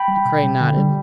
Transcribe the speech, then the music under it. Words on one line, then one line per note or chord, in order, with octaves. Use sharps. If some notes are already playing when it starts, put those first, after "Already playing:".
De Craye nodded.
Already playing: G5 B5
G3
B2
G3
D3
G3